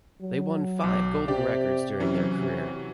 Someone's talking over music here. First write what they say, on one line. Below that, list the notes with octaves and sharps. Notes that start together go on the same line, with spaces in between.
They won five golden records during their career.
F#3
B1 D6
C3 G4 D5
C3 E3 F#3 C#4
C3